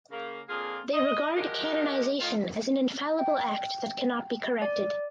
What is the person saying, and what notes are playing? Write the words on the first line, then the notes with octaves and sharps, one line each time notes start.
They regard canonization as an infallible act that cannot be corrected.
C#3 A#3
F2 A#3 D4 F4 G#4
D#5
F3 G#3 F#4 G4 A#4 D#5
A2 D#3 D#4 F4
G5
D5